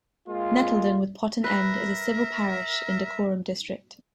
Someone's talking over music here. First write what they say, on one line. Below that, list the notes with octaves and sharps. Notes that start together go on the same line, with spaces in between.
Nettleden with Potten End is a civil parish in Dacorum District.
G#3 A#3 F4
A#4 B4 E5